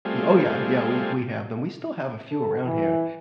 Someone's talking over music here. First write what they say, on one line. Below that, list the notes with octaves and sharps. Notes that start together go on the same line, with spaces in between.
oh, yeah, yeah, we we have them, we still have a few around here,
G3 A3 C4 F4 G#4
A4
E3